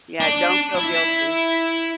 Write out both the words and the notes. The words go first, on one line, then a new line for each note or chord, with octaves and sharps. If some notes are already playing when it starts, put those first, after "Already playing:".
Yeah, don't feel guilty.
D4
E4